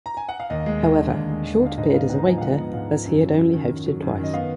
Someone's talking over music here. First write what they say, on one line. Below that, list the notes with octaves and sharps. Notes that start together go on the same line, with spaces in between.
However, Short appeared as a waiter, as he had only hosted twice.
A#5
G#5
F#5
F5
D#2 D#5
G#3
D#2
D3
D#2
G#3
D#2
D3 F5
G#2 D#5
B3 F5
G#2 F#5
A#5
F3 G#5
F5
G#2 F#5
B3
G#2 F5
F3
F#2
F#3
F#2
D#3
F#2
F#3
F#2
D#3
D#5
B3 F5